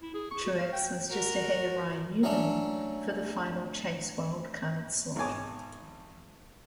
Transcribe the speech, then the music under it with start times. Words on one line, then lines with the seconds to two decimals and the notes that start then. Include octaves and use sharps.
Truex was just ahead of Ryan Newman for the final Chase wildcard slot.
0.02 E4
0.14 G#4
0.31 C#6
0.45 F#4
0.58 F5
0.73 G5
1.11 F#4 A#4
2.23 F#3 A3 C#4 D4
5.16 G#1 B2 C#5 G#5 D6